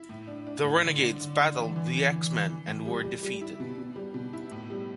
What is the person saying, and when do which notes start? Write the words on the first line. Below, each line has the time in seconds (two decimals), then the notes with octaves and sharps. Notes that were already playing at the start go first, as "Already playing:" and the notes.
The renegades battled the X-Men and were defeated.
Already playing: E4
0.09 A2
0.27 D4
0.47 D4
0.64 A2
0.83 D3
1.01 D4
1.20 D3
1.38 D3
1.57 E3
1.76 E3
1.93 E3
2.11 E3
2.30 E3
2.49 E3
2.67 A2
2.85 G3
3.04 G3
3.23 G3
3.41 E4
3.60 B2
3.78 B2
3.96 G3
4.14 B2
4.33 E4
4.51 A2
4.70 G3